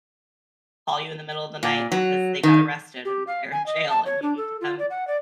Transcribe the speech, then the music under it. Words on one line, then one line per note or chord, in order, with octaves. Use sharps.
call you in the middle of the night because they got arrested and they're in jail and you need to come
A#2
F#3
D#3
G4
F5
G#5
D#5
A5
C#5
D4
A4
F4
D5
F#5
D5